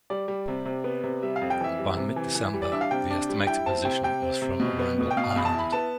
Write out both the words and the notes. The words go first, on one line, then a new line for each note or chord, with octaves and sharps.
By mid-December the estimated position was from Wrangel Island.
G3 D5
G3
C3
C3
B3
C3
G3 E5
F5
F2
G5
E3 E5
G3
C3
E3
E3
G3
D5
D4 E5
F5
C3 G5
D4
G3
E4 G5
C4 A5
C3 G5
C3 G5
C4
C3
B2
B3
B2
G5
B2 F5
F5
E2 B5
A5
E4 B5
B3 A5